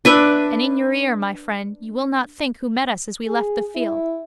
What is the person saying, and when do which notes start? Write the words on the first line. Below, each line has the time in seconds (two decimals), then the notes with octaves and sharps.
And in your ear, my friend, you will not think who met us as we left the field.
0.05 D4 B4 E5 B5
3.27 G#4
3.75 E4